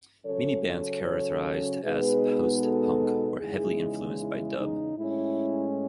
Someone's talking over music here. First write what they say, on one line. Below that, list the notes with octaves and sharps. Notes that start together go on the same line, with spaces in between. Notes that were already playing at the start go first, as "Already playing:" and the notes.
Many bands characterized as post-punk were heavily influenced by dub.
C#3 F#3 C#4 A4 C#5
A4 C#5
A4 C#5
B2 G#3 B3 D#4 G#4 B4
F#4 A4
E2 C#3 G#3 D#4 E4 G#4
E4
D#4
A2 G#3 C#4 E4